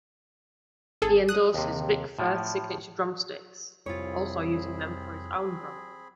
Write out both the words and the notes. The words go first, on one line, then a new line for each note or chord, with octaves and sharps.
He endorses Vic Firth signature drum sticks, also using them for his own drumming.
G#1 G#4 A4
D#6 F#6
D#2 C3
A2 F3
C2 F2 C4 F4 G#4 C#5 B5